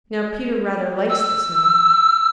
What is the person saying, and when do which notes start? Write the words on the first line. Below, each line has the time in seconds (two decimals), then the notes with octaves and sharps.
Now Peter rather likes the snow.
1.09 E6